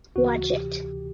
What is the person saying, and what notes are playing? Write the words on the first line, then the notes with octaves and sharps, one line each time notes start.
Watch it.
D2 C#3 E3 F#4
D2 C3 E3 G4